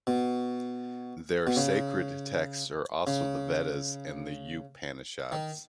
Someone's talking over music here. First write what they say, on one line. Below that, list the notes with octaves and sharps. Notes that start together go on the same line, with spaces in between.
Their sacred texts are also the Vedas and the Upanishads.
B2
B2
C#3
C#3
D#3